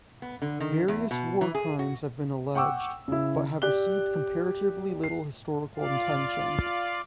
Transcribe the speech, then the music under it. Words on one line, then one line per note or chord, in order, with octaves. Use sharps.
Various war crimes have been alleged, but have received comparatively little historical attention.
B3
D3
D#3
E2
B2
E3
G#4
F#4
F#5 G5 C#6 D6 E6
C#3 E4
G4 D5 F#6 G7
C7
F4 D5 F5